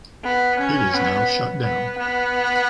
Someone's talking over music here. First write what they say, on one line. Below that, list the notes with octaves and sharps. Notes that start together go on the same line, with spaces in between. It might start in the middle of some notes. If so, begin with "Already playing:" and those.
It is now shut down.
B3
C#4
B3
B3
B3